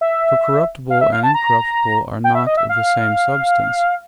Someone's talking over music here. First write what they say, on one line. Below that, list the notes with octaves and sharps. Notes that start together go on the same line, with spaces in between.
For corruptible and incorruptible are not of the same substance.
E5
F5
E5
F5
A5
A#5
G5
E5
D#5
E5
F5